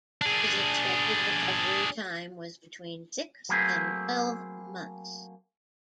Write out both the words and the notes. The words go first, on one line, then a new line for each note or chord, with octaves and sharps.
His expected recovery time was between six and twelve months.
D4 G#4
F#3 A3 A#3 C4 G#4 B4